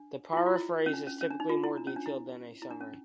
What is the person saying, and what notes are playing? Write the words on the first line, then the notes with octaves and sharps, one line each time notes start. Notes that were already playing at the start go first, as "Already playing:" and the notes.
A paraphrase is typically more detailed than a summary.
Already playing: D4
F4
E4
F4
E4
C#4
D4
C#4
C#4
D4
D#4
F4
E4
D4
C#4
D4
E4
E4
D4
C#4